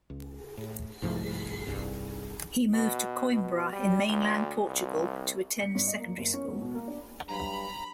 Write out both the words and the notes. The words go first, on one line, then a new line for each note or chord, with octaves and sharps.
He moved to Coimbra in mainland Portugal to attend secondary school.
C#2
A2
C2 G#2 F3 A3
C2 G2
B2
B2
G3
D2
C2
C#7
G2
D#5
A#3
F#1
C#4
E1
B2
A#3
D4
G2 F#3 A#5 B5